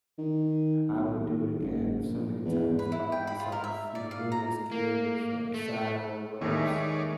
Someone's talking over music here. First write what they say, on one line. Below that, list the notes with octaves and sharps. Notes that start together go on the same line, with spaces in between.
I would do it again so many times. I bought myself, you know, really nice gears, uh, saddle, ropes,
D#3
B1
D#2
F#1
A#1
E2
B4
E4
G5
B5
F4
A#4
E5
D5
F5
A#5
A#3
A3
D#2 D#3 G#3 D#4 C#5 D5 E5